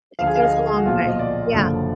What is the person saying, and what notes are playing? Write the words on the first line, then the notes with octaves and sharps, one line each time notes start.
it goes a long way, yeah.
D2 D3 F3 F5
G#4
F5
D#5
G#4
F#4
B1 A#2 F3 F4
D#5
D5
F#1 F#2 D3 F3